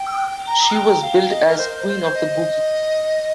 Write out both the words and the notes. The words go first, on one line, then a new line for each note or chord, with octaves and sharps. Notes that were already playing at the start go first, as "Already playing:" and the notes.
She was billed as "Queen of the Boogie".
Already playing: G5
A#5
G5
F5
D#5
A#4
C5
D#5
C5
D#5